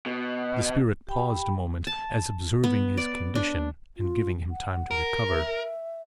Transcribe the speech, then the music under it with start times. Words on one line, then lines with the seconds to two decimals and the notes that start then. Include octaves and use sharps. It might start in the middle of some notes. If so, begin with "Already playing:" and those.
The Spirit paused a moment, as observing his condition, and giving him time to recover.
0.06 B2
1.07 G4 G5 B5
1.87 A5
2.64 B3
2.97 D5
3.35 D4
3.97 F4
4.51 F#5
4.91 A#4
5.29 E5